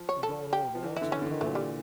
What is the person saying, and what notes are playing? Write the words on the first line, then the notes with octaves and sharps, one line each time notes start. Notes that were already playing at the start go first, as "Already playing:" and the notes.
"You goin' over to Lonesome Cove?"
Already playing: F3
C#5
A4
G4
F3
E3
D3 E4
C#4
D3
A#2 A3
G3